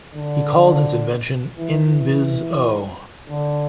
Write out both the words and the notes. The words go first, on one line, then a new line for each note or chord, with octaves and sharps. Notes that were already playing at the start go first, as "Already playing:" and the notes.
He called his invention "N-vis-o".
D3
E3
E3
D3